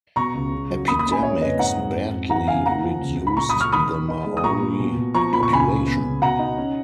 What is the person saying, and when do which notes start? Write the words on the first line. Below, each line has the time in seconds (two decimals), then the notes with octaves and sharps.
Epidemics badly reduced the Maori population.
0.16 B2 A#5 C#6
0.34 C#2
0.52 C#3
0.70 F#3
0.87 A#3 B5 D#6
0.99 B5 D#6
1.06 C#4
1.12 G#5 B5
1.23 A#3 C#5
1.41 F2 B4 D#5
1.59 G#2 F#5 A#5
1.76 G#2
1.95 F2
2.13 F2
2.30 F#3 F#5 A#5
2.48 C#3 F5 G#5
2.66 A#3 F#5 A#5
2.84 F3
3.02 C#2
3.19 C#2
3.27 B5
3.37 A#2 A#5 C#6
3.49 B5 D#6
3.55 F#3
3.60 C#6 F6
3.72 D#3 B5 D#6
3.90 D#3
4.08 D#4
4.26 G#3
4.37 D#6
4.43 A#2 A#5 C#6
4.62 A#2
4.80 B2
4.97 B2
5.15 F3 A#5 C#6
5.33 A#2 B5
5.43 C#6
5.51 C#2 G#5 B5
5.69 C#2
5.86 B3
6.04 C#3
6.22 B2 F#5 A#5
6.39 D#4
6.58 C#4